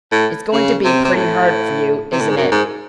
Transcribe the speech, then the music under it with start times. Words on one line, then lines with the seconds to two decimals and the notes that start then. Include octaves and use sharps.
"It's going to be pretty hard for you, isn't it?"
0.12 A2
0.53 C#3
0.85 C3
1.05 C3
1.15 A2
2.12 C3
2.21 A2
2.30 G#2
2.38 F#2
2.52 G#2